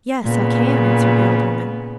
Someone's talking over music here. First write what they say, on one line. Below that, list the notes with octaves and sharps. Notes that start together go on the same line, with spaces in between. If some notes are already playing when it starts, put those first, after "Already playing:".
'Yes, I can,' answered the old woman.
A#2 C#3 B3